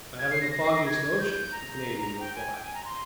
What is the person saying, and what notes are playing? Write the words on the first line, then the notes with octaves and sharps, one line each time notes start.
"I haven't the foggiest notion," the Canadian replied.
G#6
C7
A#6
A#6
C7
A#6
G#6
G6
A#5
G5
G#5
G5
G#5
A#5
C6